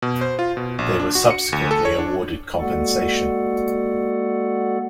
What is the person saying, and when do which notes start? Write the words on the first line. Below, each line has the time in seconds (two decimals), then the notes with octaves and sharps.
They were subsequently awarded compensation.
0.02 B2
0.21 C5
0.39 F4
0.57 B2
0.79 A#1
1.00 D4
1.15 F#4
1.30 C#7
1.53 D2
1.71 A4
1.85 C#5
1.98 D4
2.60 G#3 A#3 F#4 A4 D5 F#5